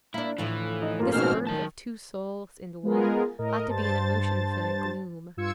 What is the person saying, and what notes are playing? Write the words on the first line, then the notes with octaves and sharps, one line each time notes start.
This birth of two souls into one, ought to be an emotion for the gloom.
A#3 D4 E4
D2 A2 E3 F3
D#4
G2 A#3 F4
G#2 B2 A#3 C4 C#4 F6
D#3 F#3 A5
G#3 B3 F4 G#4 A#4
A2 A#4 D#5
G2 C5 A5 A6
G2 F4 E6 G#6 C#7